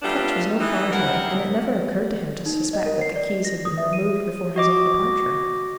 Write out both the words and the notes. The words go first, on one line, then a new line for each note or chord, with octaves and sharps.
Ketch was no conjuror, and it never occurred to him to suspect that the keys had been removed before his own departure.
F#3 G3 A3 B3 D4 F4
E3 D#4
F#2 C3 E4 A#4 F#5
D#4
D#5
A#4
C7
D5
A#6
D#6
E5
D#7
F#4 D#5 D6